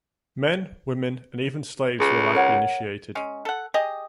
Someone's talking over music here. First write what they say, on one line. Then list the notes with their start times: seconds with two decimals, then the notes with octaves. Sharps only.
Men, women and even slaves were allowed to be initiated.
2.00 C#2 G#4
2.35 A#4 C#5 F#5
3.15 G#3 C#4
3.45 A4 F#5
3.74 G4 G#4 D#5